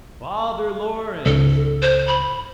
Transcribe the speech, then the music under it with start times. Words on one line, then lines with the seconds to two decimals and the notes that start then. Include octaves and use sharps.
'Father Laurence!
1.26 C#2 G#2 A4
1.82 C5
2.08 B5